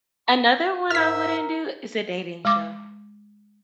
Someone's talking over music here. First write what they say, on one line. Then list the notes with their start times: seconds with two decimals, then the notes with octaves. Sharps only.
Another one I wouldn't do is a dating show.
0.90 G#2 A#4 E5 E6 F6 B6
2.45 G#3 D6